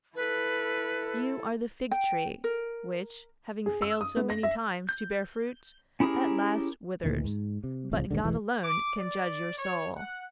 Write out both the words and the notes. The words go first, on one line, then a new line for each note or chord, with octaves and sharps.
You are the fig tree which, having failed so many times to bear fruit, at last withered, but God alone can judge your soul.
E4 A4 B4
G5
A#4
G#4
E6
D#6
B3
A#6
E5
G6
C#4 E4 G4 G#4 A#4
D2 A#2 D#3 E3
G#2
C3
D1 C2 C#3 F3
A#1 D#2 G#2 D3
E1 B1 E3 G#3
D6
D5
C#5
F#5